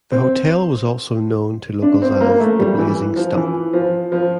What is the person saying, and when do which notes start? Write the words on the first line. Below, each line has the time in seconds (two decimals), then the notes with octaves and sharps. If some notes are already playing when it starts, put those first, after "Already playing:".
The hotel was also known to locals as 'The Blazing Stump'.
0.12 C4
1.82 D4
2.02 C4
2.20 A#3
2.40 A3
2.59 G3
2.78 E3
3.16 F3
3.36 E3
3.73 F3
4.12 F3